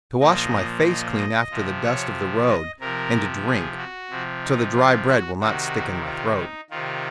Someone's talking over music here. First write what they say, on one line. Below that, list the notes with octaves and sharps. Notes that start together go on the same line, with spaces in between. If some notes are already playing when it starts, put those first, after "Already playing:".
"To wash my face clean after the dust of the road, and to drink, so the dry bread will not stick in my throat."
A#2 F3 D#5
D#5
D#5
C3 F3
C#5
D#5
C3 F3 A#4
G#4
F#4
C3 F3
D#4
F4
F#4
C3 D#3 F#4
F4
D#4
C3 D#3 F4